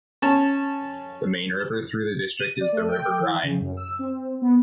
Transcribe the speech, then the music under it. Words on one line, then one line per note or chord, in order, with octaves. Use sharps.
The main river through the district is the River Rhine.
C#4 A5
D#7
D5
A3
G5
E3
C#3
F#2
E6
C4
B3